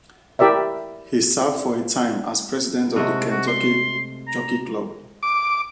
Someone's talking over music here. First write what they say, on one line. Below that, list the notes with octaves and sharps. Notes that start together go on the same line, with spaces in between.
He served for a time as president of the Kentucky Jockey Club.
E4 G4 A#4 D5 E5
C3 G#3 A3 F#4
F#4
C6
A#5
D6